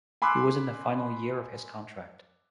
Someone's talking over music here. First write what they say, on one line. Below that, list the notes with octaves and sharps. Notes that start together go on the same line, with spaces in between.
He was in the final year of his contract.
G#5 B5 C6 D6 E6 F#6